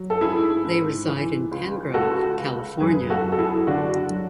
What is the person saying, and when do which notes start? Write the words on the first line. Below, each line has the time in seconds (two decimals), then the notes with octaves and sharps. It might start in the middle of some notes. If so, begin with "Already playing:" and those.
They reside in Penngrove, California.
Already playing: F#3
0.10 A4
0.21 G#2 E4 G#4
0.65 G#2
1.08 E3
1.52 C#2
1.94 C#2 F#4 A4
2.37 C#3
2.80 F#2 G#4 B4
3.10 F#4 A4
3.24 F#2
3.32 A4
3.38 E4 G#4
3.67 D3 D4 F#4
4.10 F#3